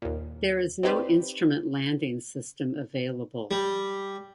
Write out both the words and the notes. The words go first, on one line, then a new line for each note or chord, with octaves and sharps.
There is no instrument landing system available.
D#2 A#2
C4 D#4 G4 B4 C5 D5
G3